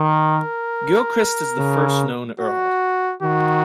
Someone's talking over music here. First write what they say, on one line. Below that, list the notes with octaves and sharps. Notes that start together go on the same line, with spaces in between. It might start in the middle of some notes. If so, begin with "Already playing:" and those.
Gilchrist is the first known earl.
Already playing: D#3 A#4
C#3
F#4
D#3 F#4